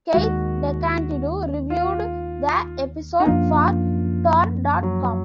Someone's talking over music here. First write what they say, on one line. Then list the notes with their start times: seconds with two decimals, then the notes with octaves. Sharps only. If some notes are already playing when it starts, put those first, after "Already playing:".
Keith DeCandido reviewed the episode for Tor dot com.
0.14 D#2 D#3 G#3 F#4
1.70 F4
3.20 D#4
3.26 F#2 F3 A#3 D4 F4
4.83 F#3